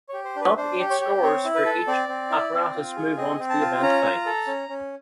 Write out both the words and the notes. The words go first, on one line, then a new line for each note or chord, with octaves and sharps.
The top eight scorers for each apparatus move on to the event finals.
G4 C#5
C5
D4
B4
D4 C5
G4
C#5
G4
C4 C#5
E4
B4
A4
C4 D5
C4
E4
C4
F4
G#4
C4 D#5
C4
A5
F4
C#4 A#5
F4
A4
C#4
C#4